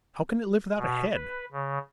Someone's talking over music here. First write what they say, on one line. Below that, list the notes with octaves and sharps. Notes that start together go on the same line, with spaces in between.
How can it live without a head?
B2
B4
C#3